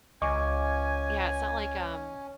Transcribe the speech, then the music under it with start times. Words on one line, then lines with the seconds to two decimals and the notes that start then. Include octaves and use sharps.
Yeah, it's not like, um,
0.22 C#2 C#4 D#5 G#5 C#6 D6